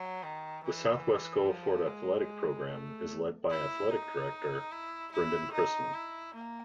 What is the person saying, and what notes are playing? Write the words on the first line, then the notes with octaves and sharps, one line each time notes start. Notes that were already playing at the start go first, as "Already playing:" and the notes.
The Southwest Guilford Athletic program is led by athletic director Brindon Christman.
Already playing: F#3
D#3
E3
F3
G#3
A3
E4
D#4
E4
E4
D#4
E4
A#3